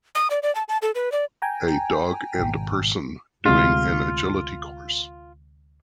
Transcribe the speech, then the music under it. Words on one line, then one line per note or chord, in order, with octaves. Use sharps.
A dog and person doing an agility course.
D#6
D5
D5
A5
A5
A4
B4
D5
G5 G#5 A#5
G#1 B2
D2 C3 G#3 F4